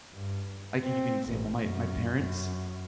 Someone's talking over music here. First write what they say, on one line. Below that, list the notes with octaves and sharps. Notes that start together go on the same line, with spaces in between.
I can give you an example, my my parents,
G2
C4
A1
F#2
F#2